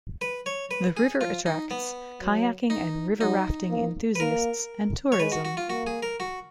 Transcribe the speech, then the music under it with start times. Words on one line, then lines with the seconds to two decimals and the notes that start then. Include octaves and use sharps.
The river attracts kayaking and river rafting enthusiasts and tourism.
0.21 B4
0.46 C#5
0.71 B4
0.97 G#4
1.21 F3 F4
1.46 D#4
1.71 B3
2.21 F#3
2.70 D#4
3.20 F#3 D#4
3.70 A#3
4.15 B4
4.20 A#3 A#4
5.12 C#5
5.19 G#3 B4
5.32 F#4
5.45 F#4
5.57 F4
5.69 A#3 F#4
5.87 G#4
6.03 A#4
6.20 F#4